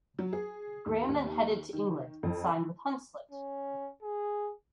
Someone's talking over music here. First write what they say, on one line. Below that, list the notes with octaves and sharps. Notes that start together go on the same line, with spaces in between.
Graham then headed to England and signed with Hunslet.
F#3
G#4
D#2
D#2
D#3
F2
C#4
G#4